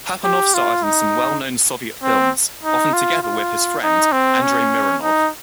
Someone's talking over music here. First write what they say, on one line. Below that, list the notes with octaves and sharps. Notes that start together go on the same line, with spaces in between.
Papanov starred in some well-known Soviet films, often together with his friend, Andrei Mironov.
G4
F4
D#4
C4
D#4
F4
F4
D#4
C4
C#4
D#4